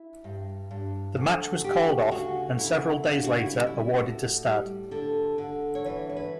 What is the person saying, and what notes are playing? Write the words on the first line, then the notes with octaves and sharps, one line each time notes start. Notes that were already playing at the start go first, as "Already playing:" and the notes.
The match was called off, and several days later, awarded to Stade.
Already playing: E4
G2
G2
D2
D2 G4
C#3 F#4
D2 E4
C#3 D4
F#4
E4
G3
E4
A2 F#4
G3
D3 A4
D3
C#5
E3 B4
C#5
B4